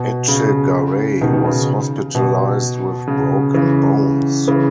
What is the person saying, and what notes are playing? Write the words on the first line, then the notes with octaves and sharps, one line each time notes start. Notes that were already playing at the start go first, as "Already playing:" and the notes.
Etchegaray was hospitalized with broken bones.
Already playing: B2
C#3
B2 D#3
B2 D#3
C#3
B2
C#3
C#3 E3
C#3 E3